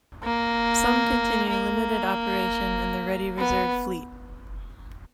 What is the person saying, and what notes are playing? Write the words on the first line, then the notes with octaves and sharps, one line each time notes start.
Some continue limited operation in the Ready Reserve Fleet.
A#3
A#3
B3